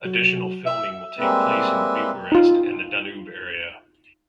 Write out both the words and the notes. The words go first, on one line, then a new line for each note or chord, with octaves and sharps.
Additional filming will take place in Bucharest and the Danube area.
F#3
E5
G3 G#3 A#3 C4 B4 E5
D#4 F4